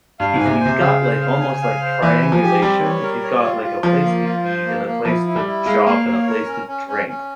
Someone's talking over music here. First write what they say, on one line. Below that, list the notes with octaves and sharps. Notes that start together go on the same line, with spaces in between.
if you've got like almost, like, triangulation, if you've got, like, a place to eat, and a place to shop, and a place to drink,
G2 F5
G#2 G#5
C3
A#2
C5
C3
C#3 F5
C5
F5
G#5
F5
C5
E3 G#5
G#5
F3
G4
G3 C4
C#5
A#4
C#5
F4
F4
F3 F4
A#3
F4
C5
A#3
A#3
F3 E4
E4
G3
E4
G#3 F5
A#3 F5
A#3 C#5
A#4
C#4
C#4
C#4
C#4